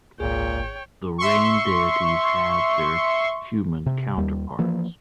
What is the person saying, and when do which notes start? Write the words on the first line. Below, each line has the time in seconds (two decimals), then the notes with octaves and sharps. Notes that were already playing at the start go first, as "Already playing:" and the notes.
The rain deities had their human counterparts.
0.20 G#1 C#2 A#2 G#4 C#5 G5
1.18 E5 C6 C#6
3.86 C3
4.18 D#2 G3
4.59 E3 F3 A#3